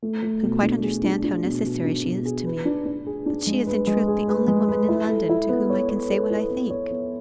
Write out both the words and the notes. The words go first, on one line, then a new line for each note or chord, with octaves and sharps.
You can quite understand how necessary she is to me. But she is in truth the only woman in London to whom I can say what I think.
A3
A3
B2
D4
G#4
D4
D4
B2
B2
D4
B2
G#4
B4
D4
D4
G#4
D4
G#3
B4
G#3
G#4
B4
G#3
B4
E4
A4
E4
B3
C#5
C#5
A4
E4
B3
C#5
B3